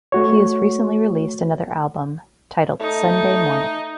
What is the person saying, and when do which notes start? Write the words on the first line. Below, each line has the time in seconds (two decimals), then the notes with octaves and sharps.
He has recently released another album, titled Sunday Morning.
0.12 A3 F#4 C#5
2.80 A3 D#4